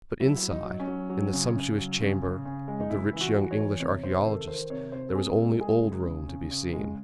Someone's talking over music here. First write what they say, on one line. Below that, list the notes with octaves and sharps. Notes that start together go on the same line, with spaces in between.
But inside, in the sumptuous chamber of the rich young English archaeologist, there was only old Rome to be seen.
F#3 E4
F#3
D#4
F#3
C#4
F#3
F#3
C#3
C#3
F#3
C#3
C#3
C#3
G#3
D#4
C#3 E4
E3 E4
F#4
E3
C#5
E3
C3 C#5
C3 C5
D#3 A4
D#3 C5
C3 C#5
C3 C5
A4
C3 G#4
G#3 A4
G#3 G#4
C#3
C#3
C#3
C#3
G#3